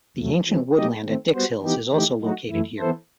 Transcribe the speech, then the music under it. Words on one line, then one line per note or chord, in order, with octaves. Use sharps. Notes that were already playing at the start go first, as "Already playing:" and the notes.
The ancient woodland at Dickshills is also located here.
E2 C3 F#3 A3
E3 G3 C4
F#3 A3 D#4 G4 D#5
D#3 A3 C4
G3 B3 F#4 C5
E3 B3 D#4 G4
E3 A3 D#4 G4
F#3 A3 D#4 F#4
F#2 E3 A3 E4
E3 B3 E4 A4 C5